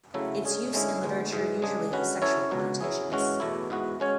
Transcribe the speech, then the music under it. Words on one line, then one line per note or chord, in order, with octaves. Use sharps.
Its use in literature usually has sexual connotations.
C#3 F#3 A3 E4
D3 G#3 C#4 G#4
D3 G#3 C#4 E4 G#4
D2 D3 G#3 B3
G#2 E3 G#3
C#3 G#3 D4 G#4
D3 G#3 C#4 F#4 B4
F#3 C#4 E4 A4 C#5
C#2 B2 F#3
F#3 C#4 E4 G#4
F#2 E3 G#3 C#4 F#4
E2 B2 A3 E4
G#2 E3 B3 F#4
G#3 C#4 F#4 C#5